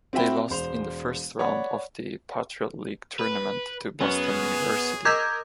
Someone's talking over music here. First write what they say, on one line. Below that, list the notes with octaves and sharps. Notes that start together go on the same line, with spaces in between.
They lost in the first round of the Patriot League Tournament to Boston University.
C4 F#4 E5 G5 B5
E1 C5 F7
C#5 D5 F#5 B5
B4
F#2 B3 G#4
A#4 D#5 D6 E6 G6 G#6